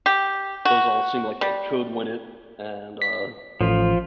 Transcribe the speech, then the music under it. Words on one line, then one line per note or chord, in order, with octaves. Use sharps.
those all seem like they could win it and, uh
G4
F#4
G3
B6
A1 F3 F4